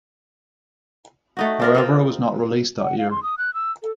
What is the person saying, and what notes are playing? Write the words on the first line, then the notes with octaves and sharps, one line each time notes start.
However, it was not released that year.
A3 D#4 F#4
C4 F4 A#4
C4 D#4 F4
F#5
F5
C6
D#6
F#6
E6
A4